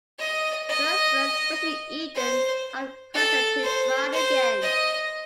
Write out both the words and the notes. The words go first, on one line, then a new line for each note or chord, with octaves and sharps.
Her friends, especially Eden, have encouraged her to try it again.
D#5
D#5
C5
A4
C5
C5
D#5